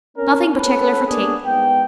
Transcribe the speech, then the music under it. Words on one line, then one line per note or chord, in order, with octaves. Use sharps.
Nothing pertikeler for tea.
C4 C#4 A#4
B3 C#4 A4 B4
A#3 B3 D4 G#4
G#2 B3 G5